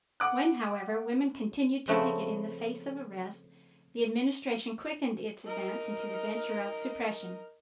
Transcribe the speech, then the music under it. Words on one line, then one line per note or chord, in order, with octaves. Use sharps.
When. however. women continued to picket in the face of arrest, the Administration quickened its advance into the venture of suppression.
F#5 D6 F#6
C#3 F3 A3 B3 C4
D#4 A#4